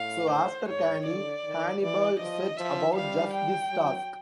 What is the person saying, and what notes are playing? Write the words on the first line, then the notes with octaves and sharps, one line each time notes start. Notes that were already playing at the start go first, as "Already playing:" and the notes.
So after Cannae, Hannibal set about just this task.
Already playing: A2 F5
C5
G#2 C#5
D3 D5
D#3
E3 D5
F3 D#5
F3 E5
G3 F5
G5
F#3